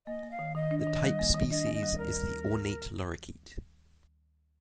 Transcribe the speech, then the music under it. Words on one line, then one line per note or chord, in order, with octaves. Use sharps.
The type species is the ornate lorikeet.
A#3 D#5
A#3
F5
D#3
D#3 D#5
D4
D#5
D#3
G3
A#3
D#3
D4 D#5
A#3
D#5
G3
D2 A#4
G3
D2